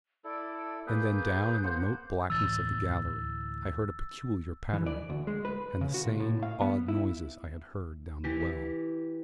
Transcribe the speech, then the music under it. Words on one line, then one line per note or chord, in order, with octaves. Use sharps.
And then down in the remote blackness of the gallery I heard a peculiar pattering, and the same odd noises I had heard down the well.
E4 A4 D5
A#3 G#4 B4 G6
A#3 C5 F#5
D2 A2 E3 E6 A6
E3
D5
D2
G#3
B4
C#3
F#4
A#2
A2
F5
B3
E4
E3 G4